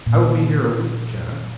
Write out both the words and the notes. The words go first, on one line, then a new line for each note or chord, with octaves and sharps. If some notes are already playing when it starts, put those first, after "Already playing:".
"I will be here a week, Jetta."
A#2